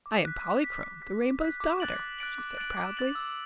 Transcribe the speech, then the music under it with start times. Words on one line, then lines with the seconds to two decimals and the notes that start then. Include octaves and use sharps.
"I am Polychrome, the Rainbow's Daughter," she said proudly.
0.06 D6
0.25 F#6 B6
0.45 D6
0.63 F#6 B6
0.84 D6
1.02 F#6 B6
1.22 D6
1.41 F#6 B6
1.60 D6
1.80 F#6 A6 D7 F#7
1.99 D6
2.19 F#6 A6 D7 F#7
2.38 D6
2.58 F#6 A6 D7 F#7
2.77 D6
2.97 F#6 A6 D7 F#7
3.15 E6